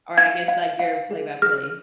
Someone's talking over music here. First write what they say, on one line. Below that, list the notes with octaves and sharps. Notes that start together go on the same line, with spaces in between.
Or I guess like your play-by-play.
F5 G#6
F5
F5
G#4
G#4 F6